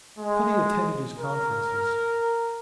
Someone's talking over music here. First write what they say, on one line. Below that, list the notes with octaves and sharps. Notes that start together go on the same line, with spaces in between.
Cutty attended his conferences.
G#3
A#4